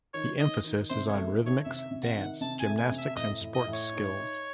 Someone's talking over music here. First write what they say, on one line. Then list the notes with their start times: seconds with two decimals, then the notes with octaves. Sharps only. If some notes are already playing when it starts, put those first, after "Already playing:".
The emphasis is on rhythmics, dance, gymnastics, and sports skills.
0.14 D#3 C#5
0.39 D#3 D#5
0.64 D#3
0.90 C3 C5
1.09 C#5
1.14 A3
1.40 D#3
1.46 C#5
1.65 C3 E5
1.91 C3
2.03 F#5
2.16 D#3
2.41 C3 A5
2.60 G#5
2.67 A3
2.78 G#5
2.91 C3
2.98 E5
3.16 A2 D#5
3.41 A2
3.54 D#5
3.68 A2
3.73 C#5
3.92 D#4
4.17 D#4